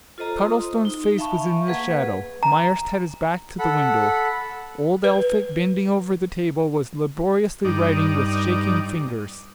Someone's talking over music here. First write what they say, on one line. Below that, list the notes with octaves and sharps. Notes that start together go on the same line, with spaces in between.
Cardlestone's face was in the shadow; Myerst had his back to the window; old Elphick bending over the table was laboriously writing with shaking fingers.
F4 A4 C5 D#5 A#5
C6 D#6
D#4
E5 F5 G#5 A5 B5 C#6
A#3 G#4 B4 F#5
A#5
A4 F#5 B5
B4
G2 D#4 D5